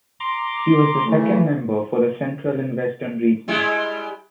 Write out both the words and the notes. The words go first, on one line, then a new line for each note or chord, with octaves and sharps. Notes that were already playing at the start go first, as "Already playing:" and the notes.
She was the Second Member for the Central and Western Regions.
A#5 C6 D6
C#3 E3 A3
G3 G#3 E4